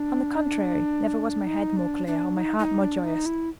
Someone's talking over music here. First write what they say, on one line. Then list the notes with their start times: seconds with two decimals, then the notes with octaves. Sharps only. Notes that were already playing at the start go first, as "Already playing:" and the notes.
On the contrary, never was my head more clear, or my heart more joyous.
Already playing: D4
1.47 D#4
1.77 D4
2.07 D4
2.36 D#4
2.59 D#4
2.81 D4
3.04 D#4
3.26 E4